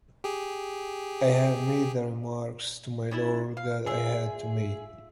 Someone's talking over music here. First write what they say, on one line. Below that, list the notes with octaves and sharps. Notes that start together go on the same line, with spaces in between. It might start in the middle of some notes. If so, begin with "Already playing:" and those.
I have made the remarks to my lord that I had to make...
G4 G#4
C#4 D4 E4
F5
F4 G#4 E5